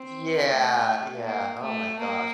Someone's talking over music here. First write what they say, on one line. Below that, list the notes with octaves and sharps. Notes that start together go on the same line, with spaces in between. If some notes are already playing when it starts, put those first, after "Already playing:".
Yeah, yeah, oh my gosh.
Already playing: C4
A3
A#3
A3
A#3